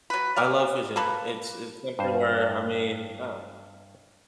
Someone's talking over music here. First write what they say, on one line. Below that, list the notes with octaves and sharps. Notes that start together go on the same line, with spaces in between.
I love fishing. It's it's something where, I mean, uh
F#3 B4
A#4 D5 F5
A#3 A4 B4
G2 C5